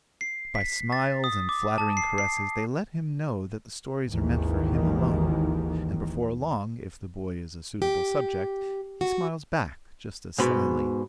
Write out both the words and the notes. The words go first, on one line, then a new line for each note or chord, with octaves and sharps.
By smiles and flattering caresses they let him know that the stories are meant for him alone, and before long, if the boy is a suitable subject, he smiles back just as slyly.
C7
B6
A6
D#6
D6
A5
C7
C7
G#1 D#2 G#2 D#3 E3
G4
F#4
G#2 B2 B5